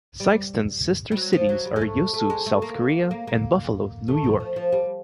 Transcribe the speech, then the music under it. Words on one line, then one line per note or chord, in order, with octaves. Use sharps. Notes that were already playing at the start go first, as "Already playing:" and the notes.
Sikeston's sister cities are Yeosu, South Korea and Buffalo, New York.
G3
G3
F#3
F3
F#3
G3
G#3
A3
A3
G#3
A3
A#3
A#3
A#3
A3
F3
F3
F3
G3